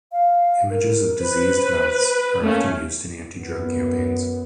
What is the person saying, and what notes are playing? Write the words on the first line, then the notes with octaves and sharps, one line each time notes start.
Images of diseased mouths are often used in anti-drug campaigns.
F5
A#4
B4 C5
A3 A#3 C#4
F#2 B3